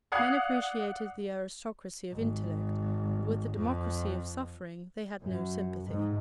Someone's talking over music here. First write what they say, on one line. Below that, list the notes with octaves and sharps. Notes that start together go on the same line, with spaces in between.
Men appreciated the aristocracy of intellect, but with the democracy of suffering they had no sympathy.
D5 F5 F#5 D#6 G#6 C7
G#1
F2
F#2
G#2